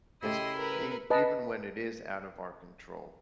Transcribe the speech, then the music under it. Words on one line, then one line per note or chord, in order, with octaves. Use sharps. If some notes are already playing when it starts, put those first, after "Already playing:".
es e even when it is out of our control,
C#3 A3 E4 G4 D#5 C6
A#4 B4
B4 D#5 A5